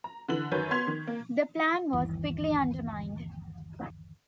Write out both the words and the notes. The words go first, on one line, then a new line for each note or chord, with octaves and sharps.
The plan was quickly undermined.
A#5
D3 E3 F#7
F#2 D#3 B4 C#5 G6
B3 C6 G#6 B6 F7
D#3
A#3
G1 D#2 E3